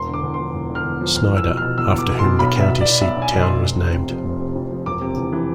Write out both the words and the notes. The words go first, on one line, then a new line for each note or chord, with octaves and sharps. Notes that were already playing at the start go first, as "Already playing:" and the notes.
Snyder, after whom the county seat town was named.
Already playing: E1 C6
D3
D6
E2
F3 C6
E1
D3
F6
E2
F3
E2 F6
E2 E6
B2
B2 F6
E2 E6
E2 D6
B2
C6
B2
B1 B5
B1 E5
B2
B2 D5
B1 E5
B1
G#5
B2
C6
B2
F1
C3
F2
F3
F1
C3
F2
F3
E1 D6
C3
E2
E3